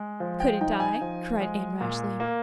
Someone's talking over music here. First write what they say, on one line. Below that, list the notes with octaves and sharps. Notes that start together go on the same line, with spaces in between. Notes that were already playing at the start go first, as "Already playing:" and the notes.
"Couldn't I?" cried Anne rashly.
Already playing: G#3
F3
G5
D#4 G5
G#5
F3
G#3
A#2
A#3